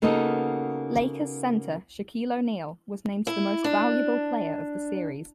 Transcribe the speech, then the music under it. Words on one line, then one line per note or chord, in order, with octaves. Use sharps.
Lakers center Shaquille O'Neal was named the Most Valuable Player of the series.
C#3 A#3 B3 D#4 F#4 A4
E4
D4